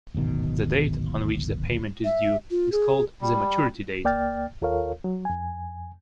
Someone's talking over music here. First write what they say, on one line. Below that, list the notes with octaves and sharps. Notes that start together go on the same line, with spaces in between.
The date on which the payment is due is called the maturity date.
D1 G#1 B2 D#3
E5
F4
G#4
G3
C#2 A#3 D5 G5 F6 A6
D#2 F4 A4 A#4 C#5 F5
F#3
F2 G#5